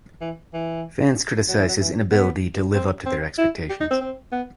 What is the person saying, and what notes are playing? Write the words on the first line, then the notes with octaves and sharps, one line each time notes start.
Fans criticize his inability to live up to their expectations.
E3
E3
F#3
E3
F#3
E3
B3
C4
C4
E4
G4
D#4
C4
C4
B3